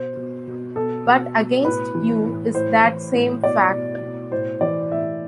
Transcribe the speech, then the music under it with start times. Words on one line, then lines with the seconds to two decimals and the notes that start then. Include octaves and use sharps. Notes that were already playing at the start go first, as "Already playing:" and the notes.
But against you is that same fact.
Already playing: B2 C5
0.17 B2
0.47 B2
0.76 B2 A4
1.06 B2
1.36 B2
1.65 A2 B4
1.95 E3
2.25 A2
2.55 A2 C5
2.84 E3
3.14 A2
3.42 B2 D5
3.72 B2
4.02 B2
4.31 A2 C5
4.61 E3 D5
4.91 A2 E5